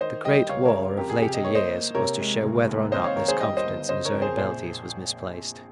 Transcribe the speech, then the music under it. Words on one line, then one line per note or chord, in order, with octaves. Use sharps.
The Great War of later years was to show whether or not this confidence in his own abilities was misplaced.
D#3 C5 D#5
G3 D#5 G5
C#2 C#5 F5
A#4 C#5
C#3
F2 G4 A#4
G#4
C3 G4
D#5
A#3 C#5
C5 D#5
A#3
C3 A#4 C#5
G#3
F1
D#2
C4 C5 D#5
C#5 F5
D#3 A#4 C#5
G#4 C5
G3 D#5 G5
C5 D#5
G1
C#3 C5 D#5
A#4 C#5
F2
G#4 C5
A#1 G#4 C5